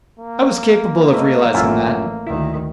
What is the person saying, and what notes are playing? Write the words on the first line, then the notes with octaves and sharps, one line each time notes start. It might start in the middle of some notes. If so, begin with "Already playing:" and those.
I was capable of realising that.
A#3
A3 B4 D#5
A1 F#2 A3 E4 F4
D2 D#3 E4